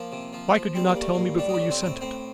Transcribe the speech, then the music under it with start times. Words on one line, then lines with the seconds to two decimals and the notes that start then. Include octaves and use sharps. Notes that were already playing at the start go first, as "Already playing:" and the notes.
Why could you not tell me before you sent it?
Already playing: F3 A#3
0.12 C3
0.33 F3
0.54 F3
0.75 G3 C4
0.88 A#3
0.96 G3
1.01 A3
1.14 A2 A#3
1.38 G3 D4
1.49 D#4
1.54 D4
1.59 A2
1.70 C4
1.80 A2
1.86 C4
2.01 A2 C4